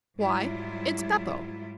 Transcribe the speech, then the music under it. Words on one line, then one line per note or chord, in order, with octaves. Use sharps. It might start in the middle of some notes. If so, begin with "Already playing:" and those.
Why, it's Beppo.
G#2 F#3 G3 E4 F4